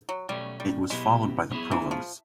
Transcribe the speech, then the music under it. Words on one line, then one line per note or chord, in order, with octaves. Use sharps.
It was followed by the Provos.
F#3
B2 F#3 G3 A3 C#4
G3
B2 F#3 G#3 B3 E4 G4
F#3 B3 E4 G#4
E3
F3